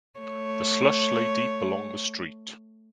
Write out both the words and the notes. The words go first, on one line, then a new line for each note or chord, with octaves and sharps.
The slush lay deep along the street.
A3 C#5